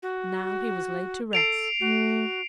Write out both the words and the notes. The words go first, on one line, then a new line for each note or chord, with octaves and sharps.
Now he was laid to rest.
F#4
A4 C7 D7 F7
A3 F#4